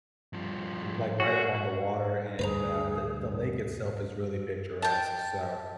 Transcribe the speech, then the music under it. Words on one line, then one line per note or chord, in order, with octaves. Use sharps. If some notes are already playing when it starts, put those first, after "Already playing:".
are, like, right up on the water, and, uh, the the lake itself is really picturesque, so
G2 F3
F#4 G#4
D2 G2 G#4 B4 C5 A#5
G5 A5